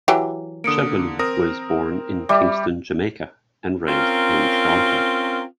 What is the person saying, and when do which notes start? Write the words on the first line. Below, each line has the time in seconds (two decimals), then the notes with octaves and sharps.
Chevolleau was born in Kingston, Jamaica, and raised in Toronto.
0.08 E3 F#3 G4
0.64 D3 A#3 D#6 C#7 D7
1.19 C4 A#4 D#6 A#6
2.29 G3 E5 D6
3.86 C4 C#4 F4 A#4